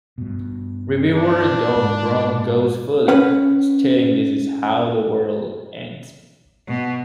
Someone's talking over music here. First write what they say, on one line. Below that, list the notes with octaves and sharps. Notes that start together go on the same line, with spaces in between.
Reviewer Doug Brown goes further, stating this is how the world ends.
G2 B2
D4
G#2
C#4 B4 F#5
B2